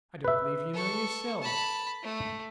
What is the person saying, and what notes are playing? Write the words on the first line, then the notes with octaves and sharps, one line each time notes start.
I don't believe you know yourselves.
B4 E5
A4 C#6
A5 B5
A3